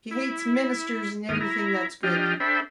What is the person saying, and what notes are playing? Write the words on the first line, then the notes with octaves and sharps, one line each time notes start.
She hates ministers and everything that's good.
E4
D2 G#2 D#3 A#3 D#6 F6
E4 A#5
F3 D4 G4 D#5 G5 F6
D4 A4 C5 E5 G5 B5